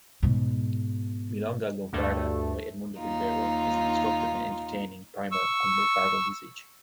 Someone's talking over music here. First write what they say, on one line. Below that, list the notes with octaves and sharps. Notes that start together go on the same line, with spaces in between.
"Milonga Lunfarda" by Edmundo Rivero is an instructive and entertaining primer on lunfardo usage.
G#2 B2
D2 G2 A3
D#2 D#4 F4
C#6 E6